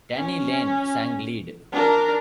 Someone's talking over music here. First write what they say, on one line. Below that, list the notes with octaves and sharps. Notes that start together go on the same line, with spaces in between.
Denny Laine sang lead.
C#4
D4 A#4